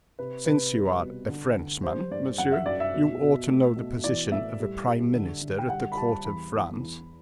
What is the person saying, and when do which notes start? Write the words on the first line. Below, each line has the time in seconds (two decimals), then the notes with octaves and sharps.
"Since you are a Frenchman, monsieur, you ought to know the position of a prime minister at the court of France."
0.19 C3 B4
0.46 C3 B4
0.73 G3
1.01 B2
1.29 D3
1.56 D3
1.84 G3 C5
2.11 G2 D5
2.38 F#2 F#5
2.52 E5
2.66 F#2 D5
2.80 E5
2.94 B2
3.22 B2
3.48 A3
3.76 B2
4.04 E3 D5
4.32 A2 E5
4.60 G3
4.87 G3
5.15 D3
5.41 D3
5.59 G5
5.69 G3 F#5
5.92 B5
5.97 G3 A5
6.25 E2 B5
6.52 E2
6.80 E2